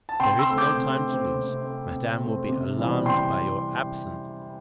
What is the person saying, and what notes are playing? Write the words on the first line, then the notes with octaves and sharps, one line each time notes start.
There is no time to lose. Madame will be alarmed by your absence.
A5
C3 G5 C6
C6 E6
A3 C4
D6 G6
C3
A3 C4
C3
A3 C4
C3
A3 C4
C3
E3 G3 C4
C3 G5 C6